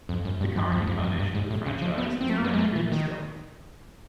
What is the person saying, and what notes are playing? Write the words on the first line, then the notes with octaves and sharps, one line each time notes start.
The current incarnation of the franchise is the Vancouver Stealth.
F2
F#2
G2
F#2
F2
F2
F#2
G2
G#2
A2
C#3
F3
B3
C4
A3
A#3
B3
G#3
A3
E3
D#3